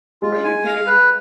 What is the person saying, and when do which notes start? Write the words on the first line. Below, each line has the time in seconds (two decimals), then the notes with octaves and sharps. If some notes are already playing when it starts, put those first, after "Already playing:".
Are you kidding?
0.22 G#3 F4
0.44 G#5
0.66 F5
0.87 B4